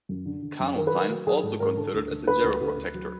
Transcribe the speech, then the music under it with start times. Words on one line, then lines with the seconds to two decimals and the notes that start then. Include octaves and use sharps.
Carnosine is also considered as a geroprotector.
0.09 F#2
0.26 D3
0.43 D3
0.60 F#2
0.76 D#3 A#4
0.87 B4
0.93 F#3 A#4
1.10 F#3
1.27 F#3 G#4
1.43 G#2 A4
1.60 G#2 A#4
1.77 D3 A4
1.94 D2
2.11 D3
2.27 D2 B4
2.44 D2
2.61 D2
2.78 D2
2.94 F#3